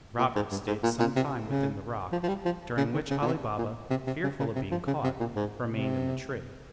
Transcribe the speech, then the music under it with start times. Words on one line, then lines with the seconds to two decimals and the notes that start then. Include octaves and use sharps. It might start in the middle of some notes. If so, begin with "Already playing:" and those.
The robbers stayed some time within the rock, during which Ali Baba, fearful of being caught, remained in the tree.
0.18 A#2
0.35 G#2
0.51 G2
0.67 G#2
0.83 A#2
0.99 A#2
1.16 C3
1.47 C#3
2.12 F3
2.23 F3
2.28 G3
2.45 F3
2.77 C#3
2.94 D#3
3.10 C#3
3.22 A#2
3.26 C3
3.58 A#2
3.90 C3
4.07 C3
4.23 C#3
4.40 C#3
4.55 C3
4.71 F3
4.87 C#3
5.04 C3
5.20 A#2
5.35 G#2
5.69 C3